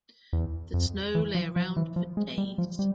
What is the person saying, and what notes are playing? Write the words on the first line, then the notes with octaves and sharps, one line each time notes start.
The snow lay around for days.
E2
F2
E3
F3
F3
E3
F3
G#3
G3
F3
G3